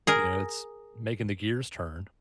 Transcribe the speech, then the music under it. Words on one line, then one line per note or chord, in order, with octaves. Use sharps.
you know, it's making the gears turn.
G#4 A#4